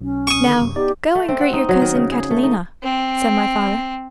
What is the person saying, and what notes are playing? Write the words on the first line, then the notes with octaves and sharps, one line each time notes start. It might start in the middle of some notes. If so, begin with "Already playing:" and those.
"Now go and greet your cousin Catalina," said my father.
B1 C#4
C#6 D#6
D3 D#3
F#2 C3
B3 D#4 G4 D5
A3
C4
F#5
D#4
F#3
D#3
C#3
G#4
A3
D#4
C4